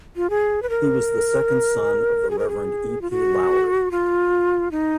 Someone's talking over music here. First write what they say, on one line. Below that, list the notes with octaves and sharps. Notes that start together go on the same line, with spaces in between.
He was the second son of the Reverend E. P. Lowry.
F4
G#4
B4
A#4
G#4
A#4
G#4
F4
F#4
F4
D#4